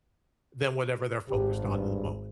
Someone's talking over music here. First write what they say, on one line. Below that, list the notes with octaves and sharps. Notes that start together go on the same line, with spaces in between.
than whatever they're focused on in the moment.
G#1 G4
G2